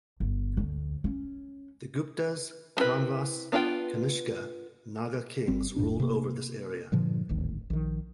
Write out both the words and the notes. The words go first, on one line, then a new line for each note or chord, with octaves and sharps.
The Guptas, Kanvas, Kanishka, Naga kings ruled over this area.
G1
D2
C#4
B3 C4 E4 A#4 B4
B3 D4 F4 F5 G5
G1 G3 C4
D1 G2 A#2 D4
C3 A#3
G2 A#2 D3 F3
D1 G#1 D#2
A#1 D#3